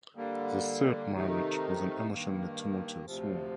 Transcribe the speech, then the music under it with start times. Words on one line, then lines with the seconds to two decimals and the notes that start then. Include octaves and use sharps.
The Sert marriage was an emotionally tumultuous one.
0.15 D3 G3 A#3
1.12 C3 D#3 A3 D#4
2.09 G2 D#3 A#3
3.06 D2 C3 F3